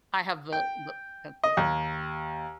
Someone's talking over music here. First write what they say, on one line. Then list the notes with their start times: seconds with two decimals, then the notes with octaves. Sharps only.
I have the the pencil.
0.53 G5
1.44 D#5
1.57 D#2